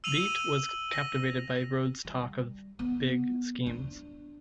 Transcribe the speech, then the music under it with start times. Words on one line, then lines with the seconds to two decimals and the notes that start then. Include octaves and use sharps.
Beit was captivated by Rhodes' talk of 'big schemes'.
0.04 E6 D#7 F7 F#7
0.92 A#6
2.05 G3
2.79 B3
3.66 D4